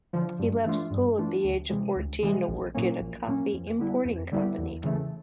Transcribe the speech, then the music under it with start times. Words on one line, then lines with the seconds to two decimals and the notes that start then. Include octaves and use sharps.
He left school at the age of fourteen to work in a coffee-importing company.
0.13 D3 F3
0.39 G2
0.65 E3 A3 D4 F4
0.91 G2
1.18 E3 A3 D4 F4
1.44 D2
1.69 C3 E3 G#3
1.96 D2
2.22 C3 E3 G#3
2.48 A#1
2.74 A#2 F#3 A#3 C#4
3.00 A#1
3.27 A#2 F#3 A#3 C#4
3.53 F2
3.79 D3 G3 B3 E4
4.05 F2
4.31 D3 G3 B3 E4
4.58 E2
4.84 C#3 E3 A3